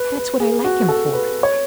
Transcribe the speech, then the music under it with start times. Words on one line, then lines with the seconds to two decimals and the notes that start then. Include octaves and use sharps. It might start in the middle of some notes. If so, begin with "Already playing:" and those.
"That's what I like him for."
Already playing: B4
0.15 B4
0.40 G#4
0.64 F#4
0.89 A4
1.13 B4
1.43 C#5